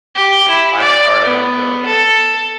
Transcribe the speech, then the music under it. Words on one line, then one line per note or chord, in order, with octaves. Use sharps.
I started on Dota.
G4
E4
D5
B3
A4